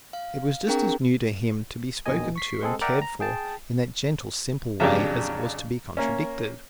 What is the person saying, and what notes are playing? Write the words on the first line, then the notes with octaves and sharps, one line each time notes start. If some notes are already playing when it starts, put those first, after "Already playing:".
It was just as new to him to be spoken to and cared for in that gentle, simple way as it was to be contradicted.
F5
C4 D4 G#4 A#4 G5 A#5
A#1 D#2 B2 D#3 D#5 G#5
C#6 B6 C7
G#3 C4 G#4 A4
A#4 D5 E5 F#5 G5 A#5
A#5
G#4 G5 A5
F2 C#3 F#3 D4 G4
A#3 C#4